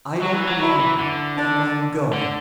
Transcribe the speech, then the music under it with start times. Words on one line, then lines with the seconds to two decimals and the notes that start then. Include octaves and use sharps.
I don't belong here, and I'm going.
0.22 F#3 F#4
0.35 E3
0.47 F#3
0.60 F#3 E4
0.80 E3
0.99 D3
1.37 D4
2.13 D3